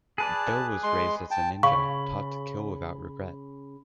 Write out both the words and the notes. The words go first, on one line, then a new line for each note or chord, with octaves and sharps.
Doe was raised as a ninja, taught to kill without regret.
G#4 B4 D5 A5
G#3 C6
G5 A5
C#3 F5 B5 C#6